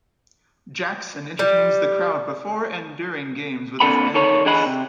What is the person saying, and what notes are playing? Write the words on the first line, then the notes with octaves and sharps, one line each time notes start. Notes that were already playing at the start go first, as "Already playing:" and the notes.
Jaxson entertains the crowd before and during games with his antics.
G3
A#2 D3 C4 A4 F#5 B5
D#3 A4 C#5
D3 E3 G#4 D#5 F#5 B5
C3